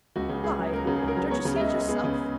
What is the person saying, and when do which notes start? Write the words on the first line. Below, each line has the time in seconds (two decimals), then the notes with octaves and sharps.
Why, don't you see it yourself?
0.16 C#2 F#4
0.29 C#3
0.44 C#2 G#4
0.59 F#3
0.73 C#2 A#4
0.85 C#3 F#4
0.96 G#4
1.03 C#2
1.08 A#4
1.17 F#3 B4
1.31 B3 C#5
1.45 C#3
1.56 E5
1.60 C#2 D#5
1.75 G#3
1.88 B3 G#4
2.04 C#3